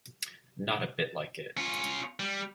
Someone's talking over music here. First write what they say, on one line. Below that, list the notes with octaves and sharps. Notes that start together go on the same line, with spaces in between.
Not a bit like it.
C#4 F4
G3